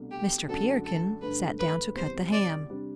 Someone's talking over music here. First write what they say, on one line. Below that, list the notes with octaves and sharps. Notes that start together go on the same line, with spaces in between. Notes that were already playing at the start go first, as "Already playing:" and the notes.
Mr. Peterkin sat down to cut the ham.
Already playing: C2 B2 A3 D4
G4
F#2 D3 F#3 A3 D4 A4
A4
G2 D3 A3 B4
B4
E2 C3 E3 G3 C5
D5
C3 G3 D4